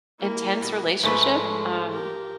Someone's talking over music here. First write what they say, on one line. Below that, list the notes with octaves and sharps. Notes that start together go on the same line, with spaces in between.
intense relationship, um
A#3 E4
B2
G#2 F3 G#3 A3 B4
G4 A#4